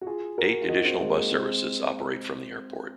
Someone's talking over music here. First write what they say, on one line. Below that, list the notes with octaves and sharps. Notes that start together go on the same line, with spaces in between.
Eight additional bus services operate from the airport.
F#4
F4 G#4
F#4 A#4
F4
D#4 F#4
C4 D#4
G#3 C4
A#3
G#3 C4